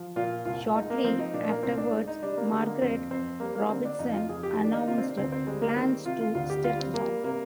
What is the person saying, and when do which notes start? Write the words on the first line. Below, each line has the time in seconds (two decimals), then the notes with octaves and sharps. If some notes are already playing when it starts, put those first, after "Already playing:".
Shortly afterwards, Margaret Robertson announced plans to step down.
Already playing: F3
0.16 A#2 F4
0.45 C2 F4
0.75 G#3 D#4
0.90 A#3
1.04 F3 C4
1.19 D#4
1.33 A#2 D4
1.49 A#3
1.63 C2 C4
1.78 D4
1.93 G#3
2.08 D#4
2.22 G3 D4
2.37 A#3
2.52 D3 G#3
2.66 A#3
2.81 F2 C4
3.10 F2 C4
3.40 G3 A#3
3.55 A#3
3.69 D3 C4
3.85 D4
3.99 F2 D#4
4.14 F4
4.29 F2 G#4
4.43 G4
4.59 D#3
4.64 D4
4.73 D#4
4.88 C3 F4
4.98 C4
5.02 D4
5.17 D2 C4
5.32 C4
5.47 G3 G#3
5.62 A#3
5.76 D#3 C4
6.05 C3 F4
6.21 F4
6.35 D2 F4
6.50 G4
6.64 G3 F4
6.80 C4
6.94 G3 A#3
7.24 C3 A#3